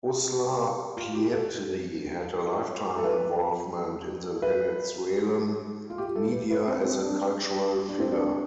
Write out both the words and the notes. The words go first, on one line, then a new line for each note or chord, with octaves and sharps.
Uslar Pietri had a lifetime involvement in the Venezuelan media as a cultural figure.
F4
G4
A4
A4
B4
B4
F4
G4
A4
B4
B4
C4
C4
D4
D4
C4
D4